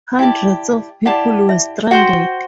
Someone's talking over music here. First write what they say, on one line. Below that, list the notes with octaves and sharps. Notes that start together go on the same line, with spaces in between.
Hundreds of people were stranded.
E4 G4 D5 G5 A5
E4 G4 D5 F#5 A5
E5
F#4 C5 F#5 G5 C6